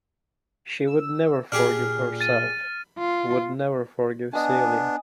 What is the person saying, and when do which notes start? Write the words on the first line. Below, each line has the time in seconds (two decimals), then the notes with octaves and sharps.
She would never forgive herself — would never forgive Celia.
0.87 E6
1.52 A#2 D4 G4 G#4 F6
2.21 A6 D#7
2.98 F4
4.33 B3 D4 D#5 G#5